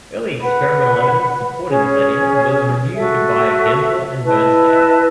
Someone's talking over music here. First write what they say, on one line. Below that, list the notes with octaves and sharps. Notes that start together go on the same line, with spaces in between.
Early experimental evidence supporting this idea was reviewed by Gensler and Bernstein.
B4 F#5 B5
C#4 G#4 C#5
F#4 A4 E5
E4 B4 D#5 A5